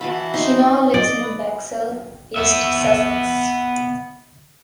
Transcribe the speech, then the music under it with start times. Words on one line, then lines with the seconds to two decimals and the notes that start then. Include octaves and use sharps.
She now lives in Bexhill, East Sussex.
0.01 E3 E4 F#4 A5 B5
0.34 D#4 C6 C#6
0.94 D5 D#5
1.23 B4
2.36 B3 E5